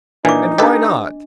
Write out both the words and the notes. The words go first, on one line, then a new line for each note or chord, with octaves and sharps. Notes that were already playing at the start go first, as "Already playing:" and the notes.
"And why not?"
A#2 E3 D4 D#4 D6
D4 G4 A4 B4 D#5